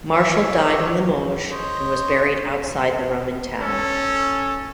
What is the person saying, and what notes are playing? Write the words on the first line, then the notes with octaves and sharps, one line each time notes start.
Martial died in Limoges and was buried outside the Roman town.
C#5 E5 D6
C5 C#5 D#5
C#4 A4